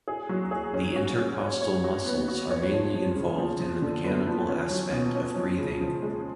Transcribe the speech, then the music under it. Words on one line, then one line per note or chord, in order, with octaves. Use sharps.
The intercostal muscles are mainly involved in the mechanical aspect of breathing.
G#4
F#3
G#4
C#4
F#4
F#4
C#5
C#5
F#4
B3
F#4
C#5
F3
F3
C#3
F3
F3
D3
B3
F3
C#4
F#3
B2
C#4
F3
C#3
F3
G#3